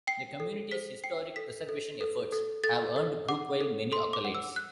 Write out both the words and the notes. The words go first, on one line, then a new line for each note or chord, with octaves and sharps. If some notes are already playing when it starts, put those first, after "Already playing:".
The community's historic preservation efforts have earned Brookville many accolades.
G5 C7
A4
C5 B6
G5 C7
A4 B6
A4
A4
A4
A4 A6
A4
F#5 D6
A4
A4 C6
D6
F#5
E6
F#6